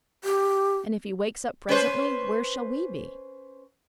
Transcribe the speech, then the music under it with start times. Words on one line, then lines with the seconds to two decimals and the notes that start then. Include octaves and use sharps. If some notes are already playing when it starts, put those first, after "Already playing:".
And if he wakes up presently, where shall we be?
0.24 G4
1.69 C#4 B4 C5